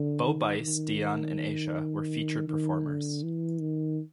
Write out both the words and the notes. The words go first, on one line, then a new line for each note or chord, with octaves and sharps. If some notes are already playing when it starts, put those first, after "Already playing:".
Bo Bice, Dion, and Asia were featured performers.
Already playing: D3
D#3
D#3
D#3
D3
E3
D#3